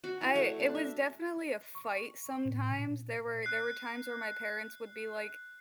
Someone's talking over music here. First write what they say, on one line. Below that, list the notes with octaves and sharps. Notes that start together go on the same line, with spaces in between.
I it was definitely a fight sometimes, there were there were times where my parents would be like,
F#4
E4
A3
D4
E5
C#6
A2
A#2
F#6 C7